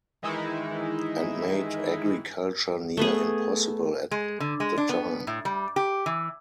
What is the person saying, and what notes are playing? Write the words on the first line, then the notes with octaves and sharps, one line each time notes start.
And made agriculture near impossible at the time.
D#3 E3 G#3 D#4 E4
A3 B3 G#4
G#3
D3
G#3
D4
B3
A2
G3
G4
E3